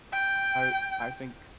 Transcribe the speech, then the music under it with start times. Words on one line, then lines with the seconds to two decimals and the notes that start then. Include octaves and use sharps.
I I think
0.13 G5